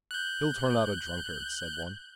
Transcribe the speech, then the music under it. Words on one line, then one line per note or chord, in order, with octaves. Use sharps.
"He'll turn out a drunkard," said one.
F#6 G6